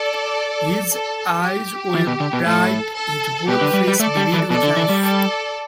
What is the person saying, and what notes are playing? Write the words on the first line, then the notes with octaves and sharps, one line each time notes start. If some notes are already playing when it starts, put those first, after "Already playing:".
His eyes were bright, his whole face vivid with life.
Already playing: A4 D5
A4
G4
E3
B2
D3
B2
A2 A4
A4
B2 G4 B4
D3
G3
G3
A3 A4 D5
G3
E3
B2 A4 D5
D3
E3
G3
A4 D5